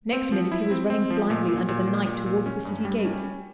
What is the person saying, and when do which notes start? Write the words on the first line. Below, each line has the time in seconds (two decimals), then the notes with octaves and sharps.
Next minute he was running blindly under the night towards the city gates.
0.13 C4
0.32 F3
0.52 E4
0.71 C4
0.90 C4
1.10 F3
1.30 A#2
1.48 A#2
1.68 A#2
1.87 A#2
2.07 A#2
2.26 A#2
2.46 C#4
2.65 G2
2.85 G3
3.05 C#4
3.23 C#4